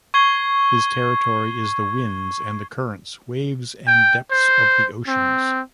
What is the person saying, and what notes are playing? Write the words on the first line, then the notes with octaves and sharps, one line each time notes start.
His territory is the winds and the currents, waves and depths of the oceans.
C#6 G#6 C7 G7
G5
C5
C4